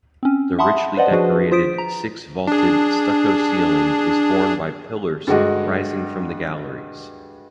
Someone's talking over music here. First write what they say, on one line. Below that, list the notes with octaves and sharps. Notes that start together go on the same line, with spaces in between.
The richly decorated six-vaulted stucco ceiling is borne by pillars rising from the galleries.
C4 C#4
E5 F#5 A5 B5 C6 D#6
B4 C5 D5 D#5 F#5
F3 D4 F#4 G#4 B4
F4 C5 D#6 B6 D7
A#5
D4 G#4
G2 D3 G#3 F#4 D#5